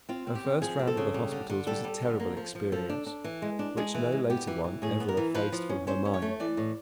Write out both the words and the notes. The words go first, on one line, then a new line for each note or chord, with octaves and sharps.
Her first round of the hospitals was a terrible experience, which no later one ever effaced from her mind.
C4 F4
C4
G4
C4
F3 G#4
C4
A4
C#3
G3
D3
D3
G3 A4
G3
D3
A#3
F3
F3
F3 A4
D4
D4
E3
G#3
D4
G#3 G#4
E3
G#3
B3 G4
E3
E3
A2 G#4
B3
A#4
E3
F3 B4
F3
C#4
C#4 C5
C#4
C#5
A3
E3 D5
A2